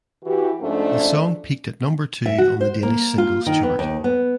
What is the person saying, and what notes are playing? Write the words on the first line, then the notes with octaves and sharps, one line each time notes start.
The song peaked at number two on the Danish Singles Chart.
E3 F#4 G4
G#2 F3 A3 C#4 D4
E5
F#4
C5
A#3
F4
D#3
B3
D#2
B3